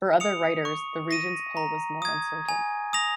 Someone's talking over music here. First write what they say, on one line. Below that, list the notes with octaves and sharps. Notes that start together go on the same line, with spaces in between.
For other writers, the region's pull was more uncertain.
D#6 C#7 F7
C#6
A#6 D#7
A#5
D#6 G#6
G#5
D#6 A#6 F7